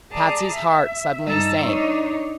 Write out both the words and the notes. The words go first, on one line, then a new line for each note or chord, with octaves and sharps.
Patsy's heart suddenly sank.
G#4 D5 A5 A#5
E5
G2 D#4 A5 A#5 E6
D4 D#4 C#5